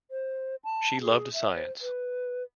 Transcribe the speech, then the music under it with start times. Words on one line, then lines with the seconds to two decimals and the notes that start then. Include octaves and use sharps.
She loved science.
0.11 C5
0.64 A5
1.01 G#4
1.34 E5
1.55 C5
1.82 B4